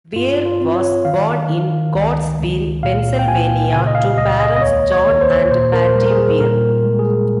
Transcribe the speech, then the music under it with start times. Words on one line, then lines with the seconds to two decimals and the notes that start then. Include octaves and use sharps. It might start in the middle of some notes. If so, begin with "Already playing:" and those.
Weir was born in Coatesville, Pennsylvania, to parents John and Patti Weir.
0.15 G2 F4
0.45 F4
0.61 C4
0.76 C#5
1.05 D#3 F5
1.50 D#3
1.95 C#2
2.39 C#2
2.83 A#2 F5
3.19 G5
3.28 A#2 G#5
3.73 C#3 G#5
3.87 D#5
3.95 F5
4.17 C#2 D#5
4.39 D#5
4.56 D#5
4.61 D#2 C#5
4.92 C#5
5.06 D#2
5.21 C5
5.51 A#2 C5
5.73 A#4
5.81 C5
5.95 G3
6.06 A#4
6.10 G#4
6.40 A#2 A#4
6.85 G#3
6.99 G#4